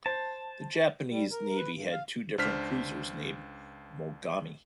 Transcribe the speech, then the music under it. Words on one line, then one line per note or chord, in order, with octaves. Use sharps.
The Japanese Navy had two different cruisers named "Mogami".
C5 A5
G3
A#4
B4
G2
F5
C#2 D4 C5 F6 B6